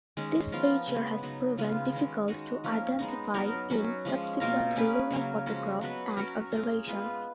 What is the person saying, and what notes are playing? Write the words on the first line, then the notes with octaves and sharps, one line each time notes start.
This feature has proven difficult to identify in subsequent lunar photographs and observations.
D#3 G#3 C#4
F3 B3 F4 A#4
C#3 G#3 B3
C#3 F#3 B3 D#4
C#3 G#3 B3 F4
D#3 G#3 C#4
G#3 D#4 F#4
F3 A#3 C#4
G#3 B3 D#4
F#3 B3 D#4 A#4
F#3 C#4 F#4
F3 G#3 C#4
B2 A#3 F4 A#4
A#3 C#4 G#4 B4
C#3 F#3 A#3
F3 G#3 C#4 F#4
F#3 B3 F#4 B4
F#3 C#4 F#4 A#4
A#3 F4 G#4
G#3 B3 F4 B4